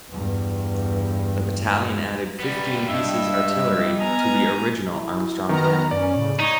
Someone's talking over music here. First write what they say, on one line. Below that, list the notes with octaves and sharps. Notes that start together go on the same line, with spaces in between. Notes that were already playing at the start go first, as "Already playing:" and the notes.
The battalion added fifteen pieces artillery to the original Armstrong cannon.
E2 G2
G3 B3
G2 D#5 E5
B3 G#5 A#5 F6
E4
D#3 B3 A#5 F6
F#2 C#4 D5
A2 C#3
D#4 C#5